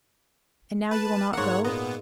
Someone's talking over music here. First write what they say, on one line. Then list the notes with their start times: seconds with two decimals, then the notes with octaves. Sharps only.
"And now you will not go?"
0.91 B4 A5
1.33 G#2 A#3 C#5 F#5
1.64 A#2 B3 D#5